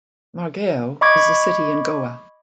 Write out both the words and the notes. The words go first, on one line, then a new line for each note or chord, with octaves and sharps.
Margao is a city in Goa.
D#5 B5 C#6 D6 G#6